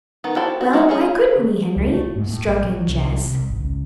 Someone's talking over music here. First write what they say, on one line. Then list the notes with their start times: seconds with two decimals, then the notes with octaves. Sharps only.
"Well, why couldn't we, Henry?" struck in Jess.
0.24 D#3 B3
0.36 E4 F#4 G4 A4 C5
0.61 F#4
0.73 G#3 A3 D#4 E4 F#4
0.89 A3 C#4 G#4
1.76 C#2
1.92 A3
2.16 G#2
2.29 A2
2.47 A#1
2.65 F#3
2.88 C2
3.26 C2
3.49 G#1
3.60 C#2